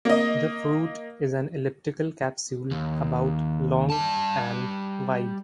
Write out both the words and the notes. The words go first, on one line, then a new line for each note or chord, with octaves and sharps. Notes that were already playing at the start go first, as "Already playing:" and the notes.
The fruit is an elliptical capsule about long and wide.
A#3 D#5
D#2
G3 A5